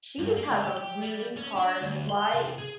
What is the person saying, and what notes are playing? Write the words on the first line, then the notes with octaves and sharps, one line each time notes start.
she just has a really hard life,
G2
A#3
C#2
G4
G4
G3
C#4
D4
D2
C6
C3
G#4